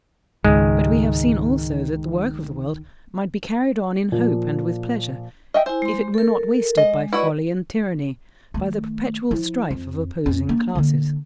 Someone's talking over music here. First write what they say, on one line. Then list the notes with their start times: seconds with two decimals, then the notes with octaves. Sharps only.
But we have seen also that the work of the world might be carried on in hope and with pleasure if it were not wasted by folly and tyranny, by the perpetual strife of opposing classes.
0.44 C#2 G#2 D#3 G#3
4.12 A#2 F3
5.54 D#5 E5 G5
5.66 E4 C5 G#5
5.82 G#3 C6
6.14 A4 A#4
6.77 G#3 D#5
7.13 E4 F#4 B4 D5 D#5
8.54 D#3 A3
9.31 F3 E4
9.71 F2
10.26 F2 C#4
10.49 A#3 D4
10.75 D3 A#3